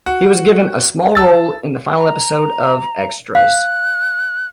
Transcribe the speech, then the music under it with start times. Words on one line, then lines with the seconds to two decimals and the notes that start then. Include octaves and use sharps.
He was given a small role in the final episode of "Extras".
0.06 F#4
1.15 A5 E6 A6
1.98 A#5
3.35 F5 F#6